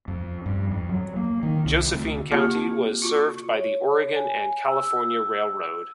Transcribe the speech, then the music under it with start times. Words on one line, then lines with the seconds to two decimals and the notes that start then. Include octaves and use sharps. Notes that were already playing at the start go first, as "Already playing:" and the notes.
Josephine County was served by the Oregon and California Railroad.
0.08 F2
0.46 G2
0.71 F2
0.89 F#3
1.16 A#3
1.43 D#3
1.65 C2
1.93 D2
2.32 A#3 C4 F4 G4 A5
3.02 F4 F#4 C#6
3.53 C#5
4.16 G#5
4.65 E6